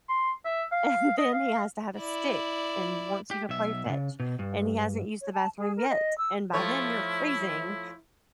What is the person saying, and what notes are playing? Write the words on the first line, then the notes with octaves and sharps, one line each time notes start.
and then he has to have a stick and wants you to play fetch, and he hasn't used the bathroom yet, and by then, you're freezing.
C6
E5
F5
D#5
F5
E4 D5
G4
B1 E5
A#2 C#3
B2
G2
C#5
A5
G#4
A#4
D#5
E6
F3 A3 E4 C#5